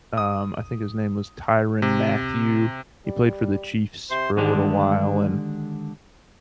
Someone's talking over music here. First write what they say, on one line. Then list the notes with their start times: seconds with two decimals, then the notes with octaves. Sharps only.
um, I think his name was Tyrann Mathieu. He played for the Chiefs for a little while, and
0.18 D#6
1.82 C3
3.06 G3
4.10 C3 C5 C6
4.37 D3 D#3 G#3 D4 G4